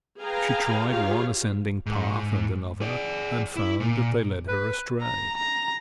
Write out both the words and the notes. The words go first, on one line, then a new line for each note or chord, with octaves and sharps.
She tried one ascending path and another, and found that they led her astray.
G#4 B4 F5 G5 G#5 A#5
F4 G4 G#4 C#5 F5
G#2
G#4 D5
E4
A#2
B4
A#5
A#5